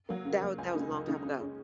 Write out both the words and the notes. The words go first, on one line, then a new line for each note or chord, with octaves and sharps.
That wa that was a long time ago.
F#3 A#3
C#3
F#3 A#3
C#2 G#5
C#3 A#3 D#4
C#2
C#3 A#3 D#4
C#3
G#3 C#4